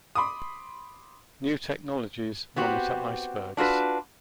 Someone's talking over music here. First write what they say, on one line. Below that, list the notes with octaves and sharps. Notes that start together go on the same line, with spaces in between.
New technologies monitor icebergs.
B5 C6 D6 D#6
B3 C4 F#4 G4
D4 F4 F#4 A#4 B4